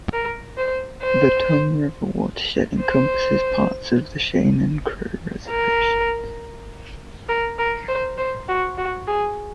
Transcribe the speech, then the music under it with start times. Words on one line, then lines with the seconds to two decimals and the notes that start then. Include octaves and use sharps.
The Tongue River watershed encompasses parts of the Cheyenne and Crow Reservations.
0.13 A#4
0.58 C5
1.02 C5
2.81 C5
5.50 A#4
7.29 A#4
7.59 A#4
7.88 C5
8.18 C5
8.49 F#4
8.78 F#4
9.07 G#4